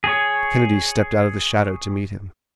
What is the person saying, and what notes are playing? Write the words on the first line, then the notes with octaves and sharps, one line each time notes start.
Kennedy stepped out of the shadow to meet him.
G#4 C#5